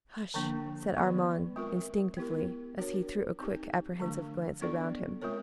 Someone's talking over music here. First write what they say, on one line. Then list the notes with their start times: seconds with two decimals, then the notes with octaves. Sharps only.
"Hush!--" said Armand, instinctively, as he threw a quick, apprehensive glance around him.
0.34 D3 F3 A#3 D4
0.94 D#3 F#3 B3
1.56 G#3 C4 F4 A#4
2.17 B3 E4 G4 A#4
2.78 D4 F#4 A#4 C#5
3.39 C4 D#4 G4
4.00 D3 F3 A3 D4
4.61 B3 D4 F4 A4 D5
5.22 G#3 C4 F4 A#4 C#5